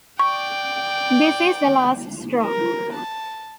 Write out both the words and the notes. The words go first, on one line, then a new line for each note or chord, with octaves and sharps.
This is the last straw.
D5 G5 C#6
A#4
A5